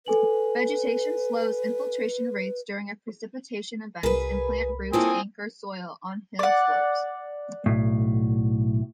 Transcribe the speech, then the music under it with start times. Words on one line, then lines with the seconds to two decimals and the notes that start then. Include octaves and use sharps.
Vegetation slows infiltration rates during precipitation events and plant roots anchor soil on hillslopes.
0.06 A4 B4 G#5 F#7
4.03 C2 G#4 A#4 B4 B5
4.93 A#3 C4 E4 F4 A4 C#5 G#5 D#6
6.39 D5 F#5
7.66 B1 A2